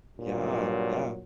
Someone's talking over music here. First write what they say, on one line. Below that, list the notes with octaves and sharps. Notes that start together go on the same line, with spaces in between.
Yeah, yeah.
G2 A#2 F#3